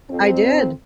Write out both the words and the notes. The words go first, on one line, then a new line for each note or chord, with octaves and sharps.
I did.
F2 C4